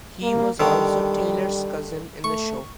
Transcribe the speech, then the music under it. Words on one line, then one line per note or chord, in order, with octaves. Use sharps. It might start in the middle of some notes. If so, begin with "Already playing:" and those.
He was also Taylor's cousin in the show.
A#3
D3 D#3 G3
A3 C#6